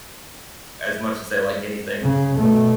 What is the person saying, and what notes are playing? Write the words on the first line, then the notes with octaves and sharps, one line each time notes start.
as much as they like anything.
C#3
B2 A3